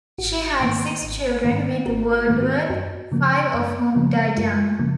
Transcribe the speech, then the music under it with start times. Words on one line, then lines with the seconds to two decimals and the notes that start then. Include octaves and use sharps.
She had six children with Woodworth, five of whom died young.
0.18 G#1 F#4
0.60 G#2 D#3 A#3
1.02 G#1
1.44 G#2 D#3 A#3
1.86 G#1 F#4 A#4
2.28 G#2 D#3 A#3
2.42 F#4
2.69 F#2 F#4
3.12 C#3 F3 A#3
3.54 F#2
3.95 C#3 F3 A#3
4.37 F#2 F4
4.79 C#3 F3 A#3